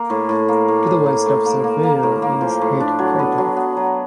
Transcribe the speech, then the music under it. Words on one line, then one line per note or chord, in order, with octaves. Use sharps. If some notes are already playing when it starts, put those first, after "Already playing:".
To the west of Surveyor is Head crater.
Already playing: A#3
A2
A2
A#3
A2
A2
A#3
A2
A#3
A#3
A#3
A2
A#3
F3
A2
D4
F#3
B3
F#3
B3
F#3